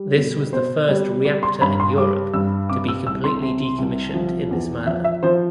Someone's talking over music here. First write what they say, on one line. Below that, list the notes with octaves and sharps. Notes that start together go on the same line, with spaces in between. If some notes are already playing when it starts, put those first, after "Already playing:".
This was the first reactor in Europe to be completely decommissioned in this manner.
Already playing: G3
B2
B2 C5
G3
G3 D5
C6
G2 B5
C6
G3 D6
G2 E6
C3 D6
E6
C2 E6
C6
C3
C2
F3
E2
F3 E5
E5
F3 C5